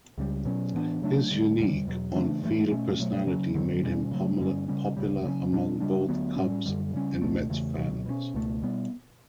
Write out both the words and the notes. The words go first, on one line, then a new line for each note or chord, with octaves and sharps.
His unique on-field personality made him popular among both Cubs and Mets fans.
C#2 C#3 G3
B2 F#3 C#4
A2 E3 B3 D4
C#3 F#3 A3 D4
D2 D3 G3
E2 C#3 G3
E2 B2 F#3
C#3 E3 A3 D4
G2 E3 A3
B2 A3 C#4
B2 F#3 A3
C#3 F#3 C#4
G2 D3 F#3
B2 G3 C#4
C#3 F#3 A3
G2 D3 G3 C#4
C#3 G3 C#4
D2 C#3 G3
C#3 F#3 A3 C#4
B2 G3 D4
C#3 G3 D4
D2 D3 F#3 B3
A2 G3 C#4
F#2 D3 G3
C#3 G3 C#4
C#2 B2 A3
E2 C#3 E3 A3
C#2 B2 F#3
B2 F#3 C#4
C#2 B2 A3
B2 G3 B3